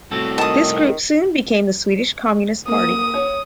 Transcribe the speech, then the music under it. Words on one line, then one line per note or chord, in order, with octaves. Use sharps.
This group soon became the Swedish Communist Party.
C2 A2 C4 F#4 A4
D#3 A5 D#6
A#3 D#6
C#5